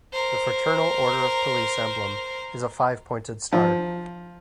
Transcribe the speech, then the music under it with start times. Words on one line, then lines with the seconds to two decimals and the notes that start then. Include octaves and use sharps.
The Fraternal Order of Police emblem is a five-pointed star.
0.12 A#4 C5
3.52 F3